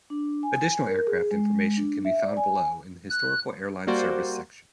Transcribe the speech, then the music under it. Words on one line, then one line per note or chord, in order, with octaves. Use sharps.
Additional aircraft information can be found below in the historical airline service section.
D4
G#5
A#4
G#4
G#3
D4
E5
D5
G#5
F#6
G3 A#3 F#4 C5 D5